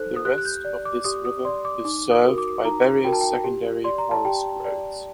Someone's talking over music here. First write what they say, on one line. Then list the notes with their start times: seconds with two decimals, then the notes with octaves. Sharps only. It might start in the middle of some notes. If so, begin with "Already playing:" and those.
The rest of this river is served by various secondary forest roads.
Already playing: D#4 A4 C5 F#6
0.16 D#6
0.25 G4 F#6
0.38 F#6
0.45 G6
0.65 D5
0.85 D6
1.04 G4 D#6
1.25 D#6
1.45 D5 C6
1.65 D6
1.85 D#4 D6
2.11 D#6
2.25 F#4 A#4
2.38 D6
2.65 D#4 A#5
3.04 F#4 A#4 G5
3.13 A5
3.21 G5
3.44 G4
3.84 D5 C6
3.98 A#5
4.11 A5
4.25 G4 G5
4.65 D5